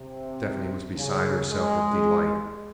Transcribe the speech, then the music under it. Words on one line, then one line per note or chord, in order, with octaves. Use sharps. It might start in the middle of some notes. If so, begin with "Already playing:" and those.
Stephanie was beside herself with delight.
Already playing: C3
C#3
G#3